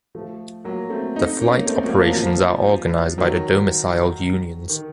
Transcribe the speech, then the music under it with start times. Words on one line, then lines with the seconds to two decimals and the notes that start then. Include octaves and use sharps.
The flight operations are organized by the domiciled unions.
0.15 F3 A3
0.64 F#3 A#3
0.90 A3 C4
1.15 C4 D#4
1.40 A#3 C#4
1.66 A3 C4
1.83 F#3 A#3
2.00 F3
2.17 F3
3.18 D#3 F#3
4.70 D#3